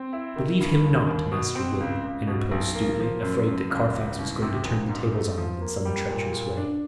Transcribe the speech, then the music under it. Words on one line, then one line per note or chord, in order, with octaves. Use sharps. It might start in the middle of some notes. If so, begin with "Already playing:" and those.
"Believe him not, Master Will," interposed Stuteley, afraid that Carfax was going to turn the tables on them in some treacherous way.
Already playing: C4
E4
D#3
G2
D#2
D#2
B2
C4
C#2
C#2
B2
B1
A#3
F3
F#2
F#2
C#2
C#2
C2
C3
A#1
G#2
A3
F3
A#3
G3
A#2
A#2
D4